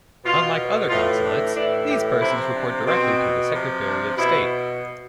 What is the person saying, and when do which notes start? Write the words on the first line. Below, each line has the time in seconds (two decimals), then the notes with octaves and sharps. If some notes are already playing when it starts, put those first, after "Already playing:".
Unlike other consulates, these persons report directly to the Secretary of State.
0.24 B2 F4
0.90 A2 E3 F4
1.23 D4
1.55 A2 E3 D4
1.89 G4
2.22 C3 F3 E4
2.55 D4
2.87 B2 C4
3.53 C3 F3
3.85 D4
4.18 B2 E4